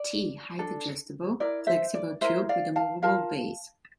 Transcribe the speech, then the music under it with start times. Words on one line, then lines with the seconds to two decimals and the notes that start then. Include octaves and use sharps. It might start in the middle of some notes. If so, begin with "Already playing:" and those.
Tee: Height-adjustable, flexible tube, with a movable base.
Already playing: D5
0.59 D4 A4
1.40 E4 A#4 D5
1.67 C5 E5
1.94 D5
2.21 E4 A#4 C5 E5
2.49 D5 F5
2.76 F5 A5
3.03 F4 A#4 F5 A5